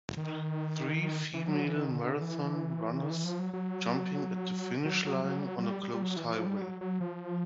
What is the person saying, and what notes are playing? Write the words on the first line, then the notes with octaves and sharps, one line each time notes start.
Three female marathon runners, jumping at the finish line on a closed highway.
D#3
E3
F#3
E3
D#3
D3
E3
D#3
E3
F3
F#3
F#3
F#3
F#3
F#3
G3
F#3
F#3
G3
G3
G3
F#3
E3
F3
G3
F#3
F#3
F3